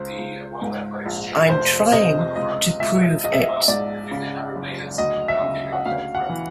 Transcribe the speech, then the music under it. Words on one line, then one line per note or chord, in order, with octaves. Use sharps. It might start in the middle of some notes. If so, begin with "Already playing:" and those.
I'm trying to prove it.
Already playing: C#2 C5
C#2
G#2
A#1
F1 C5
C3 D#5
C#2 D#5
C#2 E5
A#1 D#5
E5
D#5
G#2 D5
C#3
F#1
D2 D#5
E5
C#3
F#5
D2 F5
F#5
E3